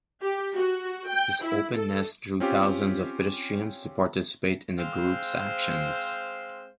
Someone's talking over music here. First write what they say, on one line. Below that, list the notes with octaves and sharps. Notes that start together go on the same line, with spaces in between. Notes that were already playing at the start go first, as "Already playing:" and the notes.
This openness drew thousands of pedestrians to participate in the group's actions.
G4
F#4
G5
E4
A4
C4 C#4 F4 G4
G#3 C4 C5 F5